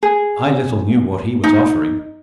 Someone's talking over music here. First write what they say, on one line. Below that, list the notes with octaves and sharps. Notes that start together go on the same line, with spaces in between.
I little knew what he was offering.
G#4
D#4